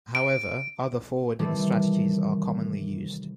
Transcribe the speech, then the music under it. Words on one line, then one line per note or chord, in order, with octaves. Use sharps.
However, other forwarding strategies are commonly used.
D7
C3 D#3 E3 G3 A3 C4